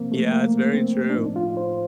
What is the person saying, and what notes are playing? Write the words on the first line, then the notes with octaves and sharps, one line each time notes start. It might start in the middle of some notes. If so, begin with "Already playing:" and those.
Yeah, it's very true.
Already playing: C3 F3 A#3 C4
A3
A#3
C4
D4
A2 F3 D#4
F4
C5